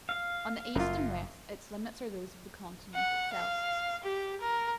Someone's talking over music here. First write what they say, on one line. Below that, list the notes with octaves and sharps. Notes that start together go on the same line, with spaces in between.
On the east and west its limits are those of the continent itself.
F5
F#1 F#2 F4
F#5
F5
G4
A#4